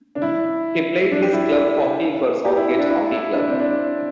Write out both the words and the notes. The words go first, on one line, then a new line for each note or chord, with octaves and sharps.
He played his club hockey for Southgate Hockey Club.
D4
E4
D4
G4
E4
G4
E4
D4
E4
E4
D4
C4
D4